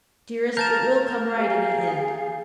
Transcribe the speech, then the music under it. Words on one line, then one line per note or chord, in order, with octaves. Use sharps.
Dearest, it will come right in the end.
A#3 A#4 A5 G6 A6 E7
G4 G#4 F5